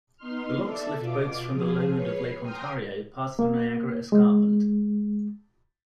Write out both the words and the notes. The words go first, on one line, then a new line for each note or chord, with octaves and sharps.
The locks lift boats from the lowland of Lake Ontario past the Niagara Escarpment.
B3 D#4 C6 F6
A4 D5 E5
B2 F4 D6
F3 G#4
B4 C#5 C7
G5 G#5 A#5 C6 D#6 F6
A#3
G#3